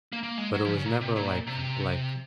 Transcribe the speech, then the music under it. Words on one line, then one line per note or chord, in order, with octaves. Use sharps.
but it was never, like uh, like,
A#3
A#3
G#3
F#3
F3
C#3
A#2
C3
A#2
C3